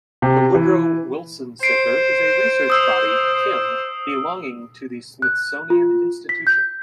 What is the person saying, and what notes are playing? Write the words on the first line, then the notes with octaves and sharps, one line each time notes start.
The Woodrow Wilson Center is a research body kim belonging to the Smithsonian Institution.
C3
E3
C5 C7 D7
D#6 E6
F#6
F4
B6
G6